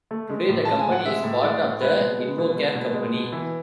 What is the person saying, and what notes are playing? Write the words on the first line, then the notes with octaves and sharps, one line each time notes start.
Today the company is part of the InvoCare company.
A3
G#3
A2
G#3 A5
G#5
A2
F#5
G#3 E5
A2
G#3 D5
A2
G#3 B4
B2
G#3
B2
G#3
B2
G#3
B2
E3